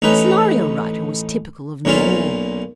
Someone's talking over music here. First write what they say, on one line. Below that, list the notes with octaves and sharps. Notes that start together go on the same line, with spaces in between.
The scenario writer was typical of them all.
A1 A2 C#4 D#4 B4
B1 A#2 C#4 F4 E5 F5